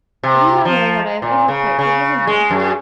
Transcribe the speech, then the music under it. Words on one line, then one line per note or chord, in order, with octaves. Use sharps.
I do not know that I have ever quite forgiven her.
C3
F3
A#2
C#3
C#3
G#3
F#2